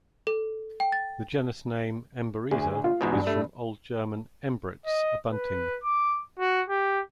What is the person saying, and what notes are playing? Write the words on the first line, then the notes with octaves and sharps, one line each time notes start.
The genus name "Emberiza" is from Old German "Embritz", a bunting.
A4
G5
A6
D2 G#4
F4
E2 G#2 B2
G2
A3
D#5
B4
D6
F#4
G4